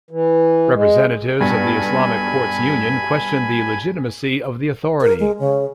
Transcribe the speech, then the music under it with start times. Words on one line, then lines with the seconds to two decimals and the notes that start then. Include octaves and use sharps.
Representatives of the Islamic Courts Union questioned the legitimacy of the authority.
0.11 E3
0.74 G#3
1.40 B1 G2 G#5 B5
5.01 A#4
5.20 G#3
5.39 C#3